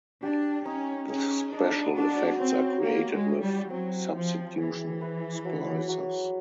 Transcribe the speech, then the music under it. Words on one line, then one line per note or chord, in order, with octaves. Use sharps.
The special effects are created with substitution splices.
D4 G4
C#4 D#4
C#4 G#4
D4 D#5
D4 F#4
C4 C#4
A#3 G4
G#3
E4
G3
F#3 C4
F3 C4
E3 G#4
B4
F#3
F#3